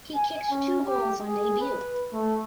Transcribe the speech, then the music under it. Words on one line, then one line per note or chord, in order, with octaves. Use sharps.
He kicked two goals on debut.
G#5
C#4
G4
G#4
B4
A3